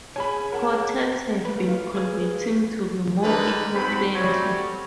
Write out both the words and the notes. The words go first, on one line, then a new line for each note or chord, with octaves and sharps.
Hotels have been converting to be more eco-friendly.
G#4 C#5 G#5 B5
A#4 F#5 A5
A3 A#3 B4
F4
G#4 B4
D3 D#3 D4 D#4 A#4 B4
G#2 F#3 C4 B5
F#3 G3 A3 C4 C#4